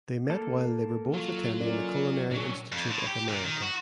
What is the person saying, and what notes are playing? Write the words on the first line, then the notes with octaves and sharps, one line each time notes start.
They met while they were both attending the Culinary Institute of America.
A#3 A4
F#3 F4
C#4 A#4 D5
A#2 F#3 D4 C#5
F2
A2
G4
A#2
D#3
F#4